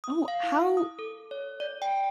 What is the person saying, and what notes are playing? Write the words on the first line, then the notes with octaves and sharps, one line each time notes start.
Oh, how
D#6
F5
E4
D#6
A4
C#5
D5
G5